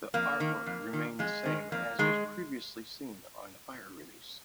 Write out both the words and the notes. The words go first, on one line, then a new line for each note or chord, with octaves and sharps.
The artwork remained the same as was previously seen on the Fire release.
F2 A#3
D#3
F2
D#3
F2 G#3
D#3
F2 A#3
D#3 G#3